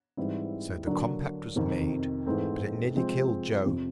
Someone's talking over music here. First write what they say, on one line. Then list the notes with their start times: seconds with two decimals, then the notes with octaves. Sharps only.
So the compact was made; but it nearly killed Joe.
0.17 G#2 E3 G3 C4 E4
0.86 D3 F#3 A#3 D4
1.56 F2 C3 D#3
2.26 G#2 E3 A3 C4
2.95 C3 F3 G#3 C4
3.66 F2 C3 F3